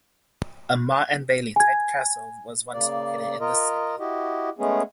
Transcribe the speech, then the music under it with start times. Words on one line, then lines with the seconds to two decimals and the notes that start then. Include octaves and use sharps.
A motte-and-bailey-type castle was once located in the city.
1.56 G#5 G#6
2.73 C#3 A#3 D5
3.40 F4 A#4 D#5
3.99 E4 F#4 G4 D#5
4.59 G#3 A3 B3 C#4 G#4